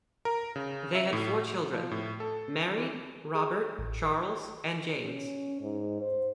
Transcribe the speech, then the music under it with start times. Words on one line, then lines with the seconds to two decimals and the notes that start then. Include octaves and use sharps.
They had four children-Mary, Robert, Charles and James.
0.25 A#4
0.56 C#3
0.95 E5
1.13 A2
1.33 F#4
1.73 F3
1.91 A2
2.20 A4
2.78 E3
3.35 G#4
3.79 A1
4.03 A#4
5.04 C#4
5.61 G#2
6.01 C5